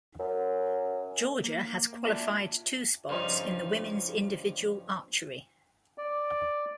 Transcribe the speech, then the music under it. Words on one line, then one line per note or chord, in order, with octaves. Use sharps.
Georgia has qualified two spots in the women's individual archery.
F#2
A#3
D4 F4 F#4 E5
G2 C#3 F3 D#4
D5